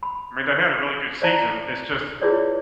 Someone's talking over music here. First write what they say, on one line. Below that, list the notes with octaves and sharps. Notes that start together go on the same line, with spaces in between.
I mean, they had a really good season, it's just
B5
C5 D5 F5 A5 A#5
E4 F4 G#4 B4 C#5 D5